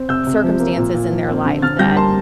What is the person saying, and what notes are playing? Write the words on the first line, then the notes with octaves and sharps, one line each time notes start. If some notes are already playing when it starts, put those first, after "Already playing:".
circumstances in their life that,
Already playing: C4
C3 E6 G6
C3
F3
A#3
A#2
A#2
F3
C4
D3
D3 F6 A6
G3 G6 A#6
A#3 A5 C6